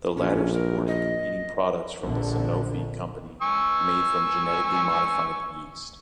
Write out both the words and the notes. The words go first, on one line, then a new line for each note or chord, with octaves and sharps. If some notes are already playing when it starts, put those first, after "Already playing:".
The latter supported competing products from the Sanofi company made from genetically modified yeast.
A#1 C#4
A#4
D#5
A#1 D3
G#5 C#6 E6